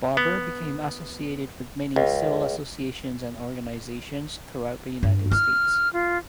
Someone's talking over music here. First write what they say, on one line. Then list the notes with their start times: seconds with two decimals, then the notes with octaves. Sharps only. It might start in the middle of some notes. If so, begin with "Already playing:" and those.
Barbour became associated with many civil associations and organizations throughout the United States.
0.17 B3
1.96 C#2
5.03 G2
5.32 E4 F6
5.93 F4